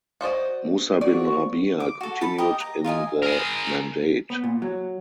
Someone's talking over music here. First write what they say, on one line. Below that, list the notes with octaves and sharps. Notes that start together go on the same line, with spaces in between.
Musa bin Rabia continued in the mandate.
F#4 C5 D5 D#5
A#2 F3 F#4 D5 C#6
D6
F#4 A4
A4 A5 B5
G4 A#4 D#5
A#5
F4 A#4 D#5 G#5
G#4 A#4
B3
A#2
F#3